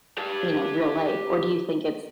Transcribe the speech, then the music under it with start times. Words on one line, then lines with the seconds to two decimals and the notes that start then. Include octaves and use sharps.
you know, real life, or do you think it's
0.18 G4 A5